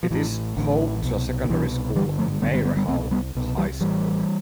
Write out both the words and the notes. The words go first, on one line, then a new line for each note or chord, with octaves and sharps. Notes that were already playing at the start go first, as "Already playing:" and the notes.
It is home to a secondary school, Mairehau High School.
F3
A1 A2 E3
A1 A2 D3
C2 B2
D3
C2 B2 E3
G1 F2 D3 E3 G3
F3 A3
G1 F2 D3 G3 B3
G3 B3
G3 B3
G3 B3
C2 B2 A3 C4
G3 B3
C2 B2
E3 G3
A1 A2 E3 G3